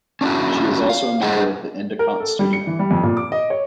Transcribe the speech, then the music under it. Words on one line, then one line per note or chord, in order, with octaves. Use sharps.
She is also a member of the Endicott Studio.
C#4 D4 E4 F#4
F5
E4 G#4 C5 D#5 F#5
A#4
A4
G3
C#7
E3
G3
F2
A#2
D6
D#5
C#5